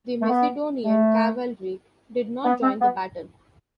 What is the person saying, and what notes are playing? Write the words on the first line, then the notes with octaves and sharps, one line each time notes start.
The Macedonian cavalry did not join the battle.
A3
B3
A3
B3
C4
B3